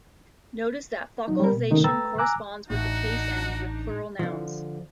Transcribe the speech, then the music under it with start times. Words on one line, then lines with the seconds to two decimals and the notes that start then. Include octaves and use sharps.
Notice that faucalization corresponds with the case and with plural nouns.
1.28 F#3 D#4
1.40 G3 A#4
1.53 B2
1.70 C3 D#3 A3 C#4 D#4 A#4
1.84 A3 B4 G5 A#5 E6 A6
2.18 G#5 A#5 D6 E6 F#6
2.70 A1 A2 D4 D#4 F#4
4.19 D3 F3